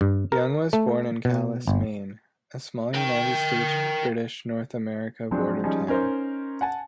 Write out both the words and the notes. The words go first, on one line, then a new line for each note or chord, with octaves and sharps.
Young was born in Calais, Maine, a small United States-British North America border town.
G2
A#4
A3
B2
G1
A#4 G5
F3 F#3 G#3 C4 D4
F3 G3 G#3 C#4 D#4
C#4 D#4 A#4 C5 D#5
F#5 G#5 A5